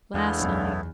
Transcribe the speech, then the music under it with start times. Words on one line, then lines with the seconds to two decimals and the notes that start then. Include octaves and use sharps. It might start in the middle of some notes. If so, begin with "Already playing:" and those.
'Last night.
0.14 E2 G#3 A3 B3 D4 E4 F5
0.39 B1 F#2